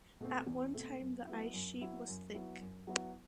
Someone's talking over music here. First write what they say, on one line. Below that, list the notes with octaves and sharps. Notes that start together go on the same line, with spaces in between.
At one time the ice sheet was thick.
B2 A3 C4
E2
B2 A3 C4
F#2
F#3 B3 E4
F#2
F#3 B3 E4
F#2
F#3 B3 E4
F#2
F#3 B3 E4